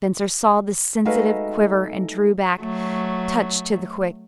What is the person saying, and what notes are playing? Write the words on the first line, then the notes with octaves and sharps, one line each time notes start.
Spencer saw the sensitive quiver and drew back, touched to the quick.
G#3 A3 D#4 F#4 B4 F5
F#3 A3